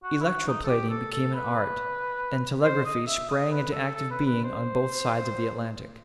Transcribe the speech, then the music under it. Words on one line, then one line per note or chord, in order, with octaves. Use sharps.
Electroplating became an art, and telegraphy sprang into active being on both sides of the Atlantic.
F#4
E4
F#4
D#4
A4
G4
A4
A4
B4
C5
D#5
E5
D#5
B4
A4
A4
B4
B4
C5